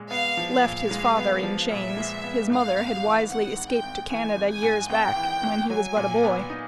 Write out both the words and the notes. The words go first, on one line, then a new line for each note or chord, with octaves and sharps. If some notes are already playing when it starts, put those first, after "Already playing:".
Left his father in chains; his mother had wisely escaped to Canada years back, when he was but a boy.
Already playing: A#2 G#3
B3 F5
F3
F5
A#2
G#3
B3
F3
A#2 E5
G#3
B3
G#2 F5
G#1
E3
G#1 F#5
G#2
G5
G#1
E3 G#5
G#1
G#5
G#2
G#1 G5
E3
G#1
F#3 G#5
A#2
B3
D#4